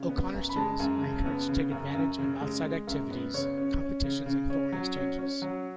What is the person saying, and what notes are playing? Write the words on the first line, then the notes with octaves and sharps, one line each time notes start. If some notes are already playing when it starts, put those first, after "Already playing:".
O'Connor students are encouraged to take advantage of outside activities, competitions and foreign exchanges.
Already playing: C#3
B3
F#2
B5
G#3 A5
F#2
C#3
B3
C#3
F#2
F#2
C#3
G#3
G#3
F#2
B3
C#3 C#5
C#4
C#4
C#3
C#3
C#4
F#3
C#4
C#4
F#3